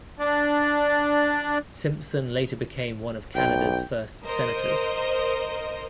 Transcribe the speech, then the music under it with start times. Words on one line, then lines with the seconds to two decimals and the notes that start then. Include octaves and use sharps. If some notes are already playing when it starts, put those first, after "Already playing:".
Simpson later became one of Canada's first senators.
0.19 D4 D5
3.35 B1 G5
4.24 A#4 C5 D#5